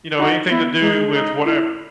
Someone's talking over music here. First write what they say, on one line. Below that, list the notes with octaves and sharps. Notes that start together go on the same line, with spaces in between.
you know, “Anything to do with whatever,
D#4 F#4
B3 E4
G#3 D#4
D#4
E4